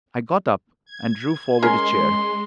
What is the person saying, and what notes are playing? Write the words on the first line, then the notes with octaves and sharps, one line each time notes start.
I got up and drew forward a chair.
G#6
G#3 C#4 G#4 A#4 C6